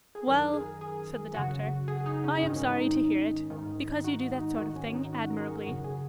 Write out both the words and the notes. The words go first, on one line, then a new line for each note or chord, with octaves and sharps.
'Well,' said the doctor, 'I am sorry to hear it, because you do that sort of thing admirably.
G#4
F#2 D#3 A#4
G#4
G#4
F#2 C#3 F#4
G#4
D#4
C#4
G#2 D#3 D#4
C#4
D#4
G#2 D#3
D#4
F#4
D#4
D#4
G#2 D#3 F#4
C#4
C#4
D#4
F#4
A#4
F#4
G#4
F#2 C#3 F#4
G#4